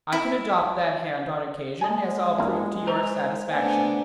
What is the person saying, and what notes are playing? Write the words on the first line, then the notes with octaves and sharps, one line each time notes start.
"I can adopt that hand on occasion, as I'll prove to your satisfaction."
E4
G#3 G#4 G#5
E2 G2 A#3
C5 A#5
A3 B3 D4 G#5